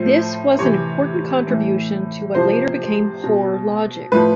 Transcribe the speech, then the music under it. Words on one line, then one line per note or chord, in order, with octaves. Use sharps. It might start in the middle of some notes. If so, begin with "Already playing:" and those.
This was an important contribution to what later became Hoare logic.
Already playing: A2 F3 C5
C3 E3 C#5
A2 E3
C3 F3 C5
B2
A2 F3 B4